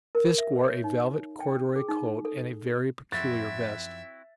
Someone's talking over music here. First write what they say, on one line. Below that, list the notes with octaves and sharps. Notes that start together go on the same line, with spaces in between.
Fisk wore a velvet corduroy coat and a very peculiar vest.
A#4
E5
C#5
D#4
G5
G#4
D#4
A4
F#2 F3 C4 E4 F#4 E5 A6